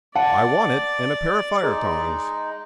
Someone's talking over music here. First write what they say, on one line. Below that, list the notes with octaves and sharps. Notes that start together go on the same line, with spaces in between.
"I want it, and a pair of fire-tongs."
D5 F#5 A5
G#3 D#4 G#4